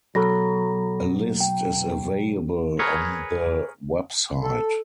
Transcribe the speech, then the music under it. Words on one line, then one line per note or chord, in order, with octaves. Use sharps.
A list is available on the website.
B1 F#3 A4 B5 A#6
G5
G#4 A#4 B4 C#5
A4